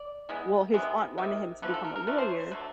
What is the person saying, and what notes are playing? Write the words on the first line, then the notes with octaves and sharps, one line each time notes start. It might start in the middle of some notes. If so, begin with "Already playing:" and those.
well, his aunt wanted him to become a lawyer,
Already playing: D5
E3 G#3 B3
C3 D#3 G#3 B3
C3 D#3
D3 F3 A3 B4
A4
A#4
A#4
D3 F3 A3 B4
C5
C#5
C5
D3 F#3 A3 B4